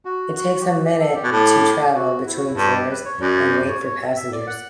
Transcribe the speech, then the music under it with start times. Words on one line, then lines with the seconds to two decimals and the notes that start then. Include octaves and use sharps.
It takes a minute to travel between floors and wait for passengers.
0.05 F#4
0.36 F#4
0.61 G4
0.68 F#4
0.84 G4
1.00 A4
1.15 G4
1.24 B2
1.32 A2
1.95 F#4
2.27 E4
2.36 F#4
2.47 E4
2.58 G2 F#4
2.74 G4
2.90 B4
3.05 C#5
3.20 F#2 D5
3.36 C#5
3.52 D5
3.68 C#5
3.85 C#5
4.17 E5
4.32 D5
4.47 F#5